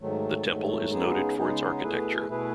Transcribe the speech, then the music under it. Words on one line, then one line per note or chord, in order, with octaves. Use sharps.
The temple is noted for its architecture.
G#2 D#3 F#3 A3
G#2 D#3 F#3 A3
C#3 G#3 B3 D#4 G#4
C#3 G#3 B3 D#4 G#4
B2 A3 E4 G#4 B4
B2 A3 E4 G#4 B4